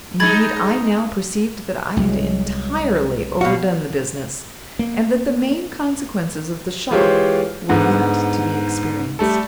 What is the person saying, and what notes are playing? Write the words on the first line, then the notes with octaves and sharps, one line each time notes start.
Indeed, I now perceived that I had entirely overdone the business, and that the main consequences of the shock were yet to be experienced.
G#3 D#4 B5 G#6 A6
C2 F#3 G#3
B2 F#4 F5
A#3
E3 G#3 F4 G4 C5 C#5
G#2 D3 B3
G3 A3 A4